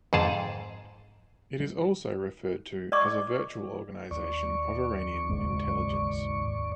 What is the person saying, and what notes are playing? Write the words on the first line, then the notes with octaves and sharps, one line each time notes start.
It is also referred to as a 'virtual organization' of Iranian intelligence.
F2 G#2 G#4 A5
D5 D#5 C#6 D6
D#2 D5 C#6
G#1 C#2 G#2